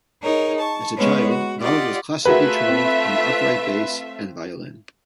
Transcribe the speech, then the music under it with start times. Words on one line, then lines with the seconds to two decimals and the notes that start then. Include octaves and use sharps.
As a child, Donald was classically trained in the upright bass and violin.
0.22 D#4 G#4 A#4 C#5
0.58 A5 C#6
0.97 G#3 B3 C#4 B4 C#5
1.28 F#4
1.60 F4 G4 D5 D#5 F#5
2.25 A3 F4 F#4 G#4 A#4 B4 E5
2.68 C4